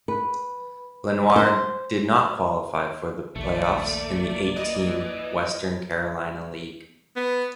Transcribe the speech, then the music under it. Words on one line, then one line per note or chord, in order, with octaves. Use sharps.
Lenoir did not qualify for the playoffs in the eight–team Western Carolina League.
B4
C5
A#1 D#2 A3 A#3 D5
E3 D#5
B3